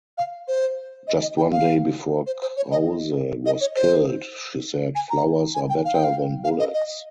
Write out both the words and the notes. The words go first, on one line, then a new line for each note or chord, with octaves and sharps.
Just one day before Krause was killed, she said "flowers are better than bullets".
F5
C5
D#5
D#5
G5
F5
C5
C5
C#5
D#5
D#5
C#5
C5
G#5
A#5
G#5
G5
F5
G5
F5
F5
D#5
D#5